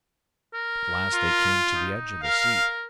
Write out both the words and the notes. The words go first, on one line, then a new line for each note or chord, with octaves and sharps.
At last they came to the edge of the sea.
A#4
F4
D#4
A#4 F5